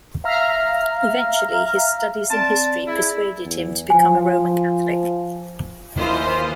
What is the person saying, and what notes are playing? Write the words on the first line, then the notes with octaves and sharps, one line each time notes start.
Eventually his studies in history persuaded him to become a Roman Catholic.
E5 F5 A#5 F6
C4 D5 A5
E4 G#4
E2
F3 G#5
D#2 E3 A#3 F4 C5 D#5